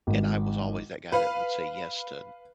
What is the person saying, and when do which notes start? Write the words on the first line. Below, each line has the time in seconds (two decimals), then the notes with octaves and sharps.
And I was always that guy that would say yes to,
0.07 G#1
1.12 B4 F5